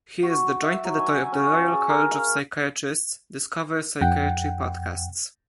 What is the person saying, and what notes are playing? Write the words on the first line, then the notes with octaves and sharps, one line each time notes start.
He is the joint editor of the Royal College of Psychiatrists "discover psychiatry podcasts".
F#4
E5
F#3
G#5
C#4
A5
G#4
A#4
F5
F2 F#5 G5